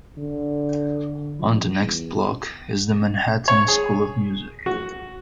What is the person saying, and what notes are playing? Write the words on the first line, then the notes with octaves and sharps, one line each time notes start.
On the next block is the Manhattan School of Music.
D3
F3
E2
C#5
G#4
F#4